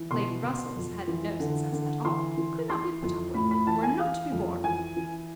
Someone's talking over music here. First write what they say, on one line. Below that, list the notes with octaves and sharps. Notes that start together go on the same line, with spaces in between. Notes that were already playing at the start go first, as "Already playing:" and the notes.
Lady Russell's had no success at all: could not be put up with, were not to be borne.
Already playing: E3
B2 C6
B2
F2
E3
D3
D3
E3 C6
E3
E3 C6
F2
A2 B5
B5
E3 A5
G#5
E3 F5
F2
E3 G#5
E3